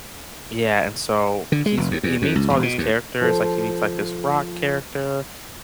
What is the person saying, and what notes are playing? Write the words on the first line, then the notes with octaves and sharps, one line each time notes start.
yeah, and so he's m he meets all these characters, like, he meets, like, this rock character,
D3
G#3
F1
D#2
E2
F2
C#2
E1
B2
D#2
F3 A4